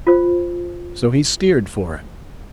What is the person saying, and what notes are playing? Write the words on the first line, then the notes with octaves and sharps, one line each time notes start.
So he steered for it.
F4 C5